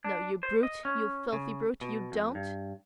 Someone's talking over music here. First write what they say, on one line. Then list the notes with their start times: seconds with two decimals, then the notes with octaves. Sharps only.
No, you brute, you filthy brute, you don't!
0.05 D4
0.43 C5
0.63 D#5
0.85 C#4
1.33 C#3
1.81 B2
2.12 F2
2.35 G2